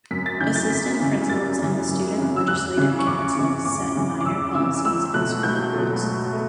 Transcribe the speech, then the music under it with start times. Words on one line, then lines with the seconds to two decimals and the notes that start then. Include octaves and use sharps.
Assistant principals and the Student Legislative Council set minor policies and school rules.
0.11 F#2 B6
0.26 A6
0.41 C#3 E3 G6
0.56 A6
0.70 F#2 B6
1.00 C#3 E3
1.29 F#2 A6
1.59 C#3 E3
1.89 F#2
2.18 C#3 E3
2.36 E6
2.47 E2 F#6
2.77 C#3 E3
2.99 C#6
3.07 E2 D6
3.37 C#3 E3 C#6
3.66 E2 D6
3.96 C#3 E3
4.21 D6
4.25 E2 E6
4.55 C#3 E3 E6
4.85 C#2 E6
5.13 B2 F#3 A3 F#6
5.43 C#2 G6
5.73 B2 F#3 A3
6.03 C#2
6.33 A3